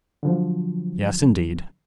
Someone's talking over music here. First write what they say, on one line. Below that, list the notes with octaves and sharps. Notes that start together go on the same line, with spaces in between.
Yes, indeed!
D3 F3 F#3